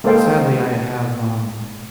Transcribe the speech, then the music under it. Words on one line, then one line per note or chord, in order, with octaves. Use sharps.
sadly, I have, um
G#3 A#3 A4 C5 F5 G5